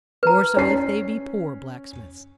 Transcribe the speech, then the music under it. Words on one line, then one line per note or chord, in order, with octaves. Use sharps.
"More so if they be poor blacksmiths."
B4 A#5
C#4 C7